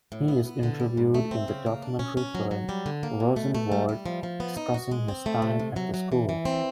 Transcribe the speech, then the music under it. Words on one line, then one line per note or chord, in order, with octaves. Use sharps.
He is interviewed in the documentary film, Rosenwald, discussing his time at the school.
A2
B3
B3
D3
G3
G#2
A3
C4
C#3
A#3
D4
C#4
C#4
F#3
F#3
G3
D3
A#3
B2
A3
A3
G3
G3
F3
F3
B3
D#4
F#4
G#3
C4
A3
C3
C3
F#3
F#3
E3
E3
C4